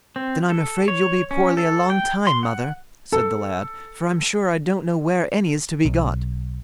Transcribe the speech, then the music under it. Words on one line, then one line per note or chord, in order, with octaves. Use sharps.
'Then I'm afraid you'll be poorly a long time, mother', said the lad, 'for I'm sure I don't know where any is to be got.'
C4
A4
C#5
C#4
A4
G5
C6
F#5
A4
B1